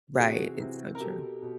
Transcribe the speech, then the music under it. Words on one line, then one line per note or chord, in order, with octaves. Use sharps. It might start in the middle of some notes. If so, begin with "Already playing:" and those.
Right, it's so true.
C3 E3 F#4 G#4
C3 E3
A#4
B2 G4 A4
B2